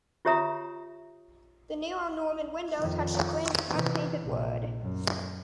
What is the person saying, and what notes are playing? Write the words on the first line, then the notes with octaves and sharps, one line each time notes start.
The narrow Norman windows had been framed with unpainted wood.
F4 G4 C#5 E5 A#5 D#6
F2 D#3
C3 E3
A#1 C3
F#2